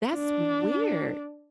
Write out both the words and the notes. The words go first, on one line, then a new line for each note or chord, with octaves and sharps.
That's weird
D4